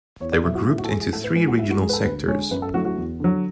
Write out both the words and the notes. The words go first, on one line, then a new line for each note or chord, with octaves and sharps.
They were grouped into three regional sectors.
E2 C#5
D5
B2 F#3 E5
F#4
A2 E4
F#4
A4
E3 G#3 G#4
G#4
A2 A4
B4
E3 G#3 B4
F#4
G#2 E4
F#4
G#3 G#4
B4
A4
D2 B4
D3 G#3 C#5
F#2 B4
A4
D3 F#3 A3 F#4
F#4
E2
D3 F#3